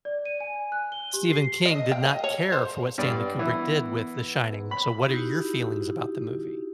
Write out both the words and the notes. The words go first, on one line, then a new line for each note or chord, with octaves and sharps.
Stephen King did not care for what Stanley Kubrick did with The Shining, so, what are your feelings about the movie?
D5
D#7
G#5
F#6
G7
G4
C7
D#5
G5
D#5
C#5
C5
G2 B3 D5
E3
B5
D#4 E4 F#4 G4